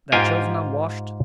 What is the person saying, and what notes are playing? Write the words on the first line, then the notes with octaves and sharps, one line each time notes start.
Their children unwashed.
G#2 F4 G4 G5 G#5 A#5